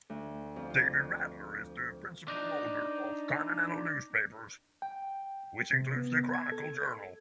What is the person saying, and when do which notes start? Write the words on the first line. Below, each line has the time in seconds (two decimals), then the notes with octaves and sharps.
David Radler is the principal owner of Continental Newspapers, which includes The Chronicle-Journal.
0.09 D2
0.56 F2
0.70 F4
2.28 D4 D#4
4.82 G5
5.73 C3
5.96 B3
6.34 G#6
6.52 A4